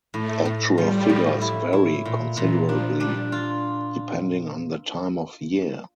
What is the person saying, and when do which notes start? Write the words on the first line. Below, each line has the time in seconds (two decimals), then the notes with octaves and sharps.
Actual figures vary considerably depending on the time of year.
0.14 A2 A3
0.45 A2
0.77 F3 G3
1.10 A2
1.41 E4
1.73 E4
2.05 A#2
2.37 A#2 E3
2.69 F3 D4
3.00 G3 D4
3.32 F4